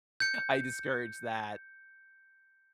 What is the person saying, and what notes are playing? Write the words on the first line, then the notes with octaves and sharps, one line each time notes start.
I discourage that,
G6 C#7